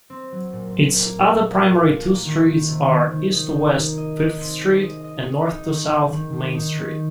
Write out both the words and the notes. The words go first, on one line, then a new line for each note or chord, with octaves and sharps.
Its other primary two streets are east-to-west Fifth Street and north-to-south Main Street.
C4
F#3
A#2
A#2
A#3
A#2
A#2
F4
F4
A#3
D#3
D#3
C3
D#3
D#3
D#4
D#4
A#3
D#5
D#4
C4
G#4
D#5
D#5
D#5
D#4
D#3
D#3
D#3
D#3
D#4
D#3